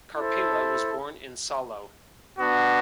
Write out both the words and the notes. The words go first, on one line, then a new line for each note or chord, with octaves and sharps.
Karpela was born in Salo.
E4 A4 C5
B3 D4 F#4